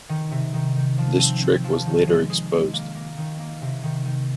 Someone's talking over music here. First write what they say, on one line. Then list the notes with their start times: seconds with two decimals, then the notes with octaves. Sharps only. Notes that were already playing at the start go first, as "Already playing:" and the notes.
This trick was later exposed.
0.09 D#3
0.31 C3
0.54 D#3
0.76 D#3
0.98 F3
1.19 C4
1.42 C4
1.64 F3
1.86 D#3
2.07 G#3
2.30 G#4
2.52 G#3
2.73 A#3
2.95 A#3
3.18 D#3
3.39 A#3
3.62 C3
3.83 D#3
4.05 D#3